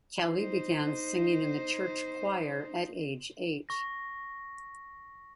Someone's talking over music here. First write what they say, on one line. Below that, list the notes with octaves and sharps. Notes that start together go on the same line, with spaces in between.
Kelly began singing in the church choir at age eight.
D#4 C5
C#6 A#6